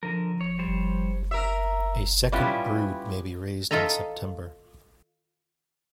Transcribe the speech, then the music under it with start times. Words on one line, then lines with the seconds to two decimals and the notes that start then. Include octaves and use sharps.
A second brood may be raised in September.
0.03 D3 F3 A#4
0.41 C#5
0.59 G3 C5 C#5
1.31 A#4 E5
2.32 G3 B3 C#4 E4 F4 G4
3.71 F4 A4 D#5 E5 A#5